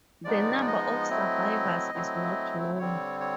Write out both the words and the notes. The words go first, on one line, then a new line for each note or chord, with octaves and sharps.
The number of survivors is not known.
F3 G#3 B3 D#4 D5
D5
D#5
F#3 A3 C4 E4
F#3 A3 C4 E4
D3 G3 C4 C#5
C#5